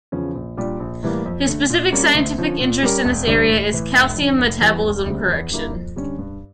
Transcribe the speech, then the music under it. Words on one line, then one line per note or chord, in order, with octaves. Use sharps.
His specific scientific interest in this area is calcium metabolism correction.
E2 C#3 F3 C#4
A#1
A#2 G3 D4 G4
A#1
A2 E3 G3 A#3
F2
D3 A3
A#2
G3 A#3 C#4
D2
D3 F3 C#4
A#2
G3 C#4 G4 A#4
E1
D2 D3 G3 D4
A1
A2 E3
F1
F2 D3
F1
E2 E3 G3
E1
D2 C#3 G3
E2
D3 G3 A#3 E4
F2
D3 G3 C#4
G2